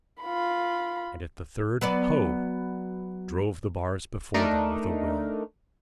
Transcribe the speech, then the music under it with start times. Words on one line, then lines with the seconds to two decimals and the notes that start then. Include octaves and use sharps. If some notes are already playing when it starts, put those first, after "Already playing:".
And at the third "Ho!" drove the bars before them with a will.
0.22 F4 B5
1.81 F#3 B3 D5
4.34 A3 D4 D#4 A#4